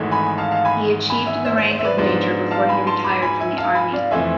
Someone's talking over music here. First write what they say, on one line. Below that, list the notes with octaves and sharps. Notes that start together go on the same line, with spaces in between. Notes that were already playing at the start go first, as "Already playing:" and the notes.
He achieved the rank of major before he retired from the army.
Already playing: G#1 G#2 E3 A3
G#5 B5
F5 A5
F5 A5
G#5 B5
G#5 B5
E5 G#5
C5 E5
C5
C5
E5
B4 D5
G#2 F3 B3 D4 C5
F5 A5
G#5 B5
A5 C6
B5 D6
G#5 B5
E5 G#5
F5 A5
G#5 B5
D5 F5
F1 F2 E3 A3 C4 E5 G#5